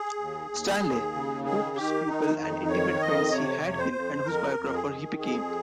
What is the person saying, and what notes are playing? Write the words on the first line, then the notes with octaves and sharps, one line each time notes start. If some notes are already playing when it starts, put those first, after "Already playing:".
Stanley, whose pupil and intimate friend he had been, and whose biographer he became.
Already playing: G#4
D#2
D#2
D#2
C#3
D#3 G#4
D#3 G4
D#3 D#4
F2 D#4
D#3 C#5
F2 D#5
C3 C#5
F2
C5
F2
F2 A#4
F2
G#4
D#3
F2 G#4